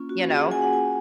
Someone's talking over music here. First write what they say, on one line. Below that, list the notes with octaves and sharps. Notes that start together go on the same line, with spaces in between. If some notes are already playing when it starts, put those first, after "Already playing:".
you know.
Already playing: A#3 C#4 F4
F#4
G#4
F#5
G#5
F#5
G#5